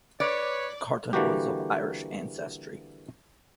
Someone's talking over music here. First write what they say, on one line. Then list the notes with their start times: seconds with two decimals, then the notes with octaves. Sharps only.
Carton was of Irish ancestry.
0.20 B4 C#5 D5
1.13 D3 E3 G3 A#3 F#4 G4